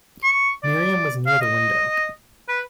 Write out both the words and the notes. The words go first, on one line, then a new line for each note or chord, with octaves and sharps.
Miriam was near the window.
C#6
D5
F5
D#5
B4